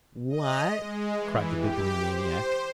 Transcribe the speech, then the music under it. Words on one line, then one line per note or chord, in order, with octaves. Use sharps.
"What?" cried the Bibliomaniac.
D#5
G#3
E3
G4
C5